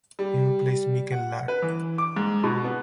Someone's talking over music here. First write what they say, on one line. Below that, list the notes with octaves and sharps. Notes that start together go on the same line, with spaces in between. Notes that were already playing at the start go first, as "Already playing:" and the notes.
He replaced Mihkel Laar.
G3
F#5
B4
E3
D6
G#2
B2
B3